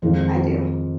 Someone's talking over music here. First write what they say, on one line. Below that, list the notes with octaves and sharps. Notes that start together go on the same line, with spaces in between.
I do.
F2 D#3 G#3 C4 F4